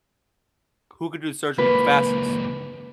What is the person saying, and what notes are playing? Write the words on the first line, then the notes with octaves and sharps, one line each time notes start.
who could do surgery the fastest?
C#2 A#3 B4